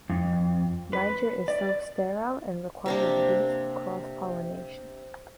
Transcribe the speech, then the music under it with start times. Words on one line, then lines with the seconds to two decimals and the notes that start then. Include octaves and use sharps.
Niger is self-sterile and requires bees for cross pollination.
0.10 F2
0.93 B4
1.48 D5
2.86 C3 A#3 D4